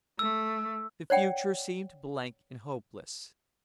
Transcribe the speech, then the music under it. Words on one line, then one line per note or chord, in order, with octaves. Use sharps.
The future seemed blank and hopeless.
A3 E6
C#5 D5 F#5 G5